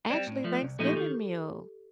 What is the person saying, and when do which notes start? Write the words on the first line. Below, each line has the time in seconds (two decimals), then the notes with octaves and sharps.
Actually, Thanksgiving meals,
0.10 G3 C4 D5
0.27 A2
0.44 F3 A3
0.62 C2
0.79 A#2 F3 A3 D#4 A4
0.87 G4
0.97 D#3 A4